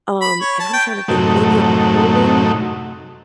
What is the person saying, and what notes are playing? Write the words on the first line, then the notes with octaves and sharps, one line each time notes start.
um, and I'm trying to think, maybe on Hulu?
B5
C#5
A5
G5
F#2 A2 C3 F#3 A3 D#4